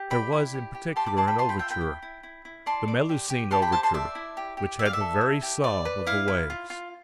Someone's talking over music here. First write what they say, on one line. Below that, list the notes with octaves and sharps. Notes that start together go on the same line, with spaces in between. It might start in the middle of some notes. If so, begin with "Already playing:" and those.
There was in particular an overture--the Melusine overture--which had the very sob of the waves.
Already playing: G4
D5 G5 B5
E4
G4
G4
G4 A5 C6
B5 D6
D5 A5 C6
G5 B5
F4 A5 C6
G5 B5
F4 E5 G5
G5 B5
E4
E4
E4
E4
D5 A5 C6
D5
G4
G4
G4 A5 C6
G5 B5
C5 A5 C6
A5 C6
D5 E5
E4
G4
G4
D5 E5
F5
E5
A4
E4
G4
D5
B4
E4 F5
E4
F4
F4